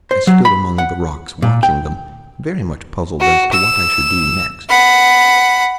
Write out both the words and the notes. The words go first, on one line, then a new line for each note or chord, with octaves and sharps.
I stood among the rocks watching them, very much puzzled as to what I should do next.
C5
F#3
B5
F#5
A#2
G5
F#4
E6
F#5 B5